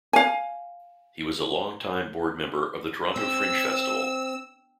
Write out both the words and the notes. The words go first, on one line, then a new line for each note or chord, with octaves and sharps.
He was a long-time board member of the Toronto Fringe Festival.
F5 G#5
C4 E6